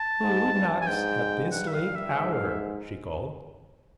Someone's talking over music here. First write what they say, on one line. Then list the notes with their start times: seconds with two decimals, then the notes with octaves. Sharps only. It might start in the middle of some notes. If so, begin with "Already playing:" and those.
"Who knocks at this late hour?" she called.
Already playing: A5
0.22 G#2
0.55 G2
0.82 G#5
0.87 G#2 G5
1.52 G2 F#5
1.68 E5
1.73 F5
1.95 E5
2.16 G#2 E5
2.32 F5
2.48 E5